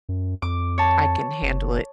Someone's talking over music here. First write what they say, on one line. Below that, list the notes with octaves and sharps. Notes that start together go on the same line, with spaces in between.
I can handle it.
F#2
F2 D6
C#5 A5
F#1